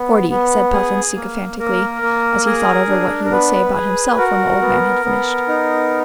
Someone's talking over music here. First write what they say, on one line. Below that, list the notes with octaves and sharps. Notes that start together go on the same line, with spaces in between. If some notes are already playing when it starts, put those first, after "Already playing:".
"Forty," said Puffin sycophantically, as he thought over what he would say about himself when the old man had finished.
Already playing: B3
B3
G#4
A#3
A#3 A#4
A#3
G#4 A#4
D4
A#4
B3 B4
G#4
F#4 A#4
B3
B3
D#4